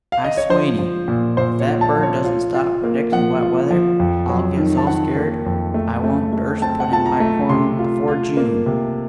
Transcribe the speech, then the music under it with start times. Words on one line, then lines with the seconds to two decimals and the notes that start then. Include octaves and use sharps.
I swanny, if that bird doesn't stop predictin' wet weather, I'll get so scared I won't durst put in my corn afore June.
0.12 F5
0.24 D#5
0.37 C#5
0.50 F3 C5
0.79 F3
1.08 A#2
1.37 A#2 C5
1.60 C#5
1.66 F4
1.81 A5
1.96 F3
2.03 C#5
2.24 F4
2.54 F4
2.84 A#3
3.12 F3 F#5
3.41 F4
3.71 F3
4.00 F2
4.29 F#3
4.58 D#3
4.77 A5
4.87 D#3 F#5
5.17 A#3
5.46 F2
5.74 A3
6.04 A3
6.33 A3
6.62 C4 A5
6.80 F#5
6.91 F4 A5
7.06 A#5
7.20 A3
7.49 C3 C6
7.79 F4
8.08 F4
8.37 A#3
8.66 C3